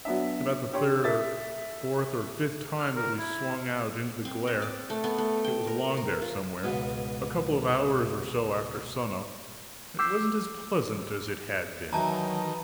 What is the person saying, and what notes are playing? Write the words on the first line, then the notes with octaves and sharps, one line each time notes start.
About the third or fourth or fifth time that we swung out into the glare--it was along there somewhere, a couple of hours or so after sun-up--it wasn't as pleasant as it had been.
F#3 B3 D4 E5
D4 G4 C#5 C6
A4 E5 A6
F6
A#4
E4
C4
D#5
D5
A3
B3
A3
G5
A#4
A#4
F4
C#2 G#2 B2
D6 E6 G6 B6 C7
D#3 E3 F#3 A5 A#5